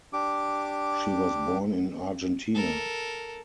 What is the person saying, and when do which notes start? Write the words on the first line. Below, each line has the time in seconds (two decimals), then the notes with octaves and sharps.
She was born in Argentina.
0.13 D4 G4 D6
2.55 A4 A#4